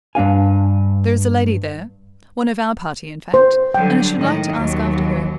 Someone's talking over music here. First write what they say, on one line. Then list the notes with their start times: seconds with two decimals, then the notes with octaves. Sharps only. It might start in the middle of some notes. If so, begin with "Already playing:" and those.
There is a lady there,--one of our party, in fact,--and I should like to ask after her.
0.15 G2 D4 F5 G#5
3.34 C5
3.74 D3 F#3 G3 G5
4.17 A2 D#3 G#3
4.52 D#2 F#3